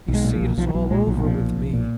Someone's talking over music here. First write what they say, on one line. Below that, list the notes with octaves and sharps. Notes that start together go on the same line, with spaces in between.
You see it is all over with me.
B1
G#3
A#2
F3
B1
B1 F3
F3
B1 F#3
A#2 G#3
B1 F#3
F#3
A#2 F3
B1
B1
A#2